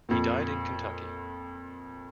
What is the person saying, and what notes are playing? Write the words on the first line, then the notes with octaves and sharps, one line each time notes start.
He died in Kentucky.
F2 A#2